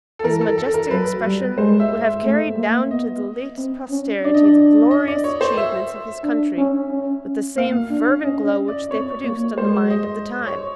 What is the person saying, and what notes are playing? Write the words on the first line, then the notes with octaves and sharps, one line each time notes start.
His majestick expression would have carried down to the latest posterity the glorious achievements of his country with the same fervent glow which they produced on the mind of the time.
A4
E3 A#4
A4
A4
A#4
F#3 B4
G3
G#3 C5
E5
E5
A3
A#3
B3 D#5
C4
C#4
D4 D5
D#5
D5
D#5
D5
C#5
C5
E5
D4
C#4
C#4
A#3 F5
D4
C#4 D#5
D5
C4 C#5
A#3 C#5
G#3 C5
D#5
C#5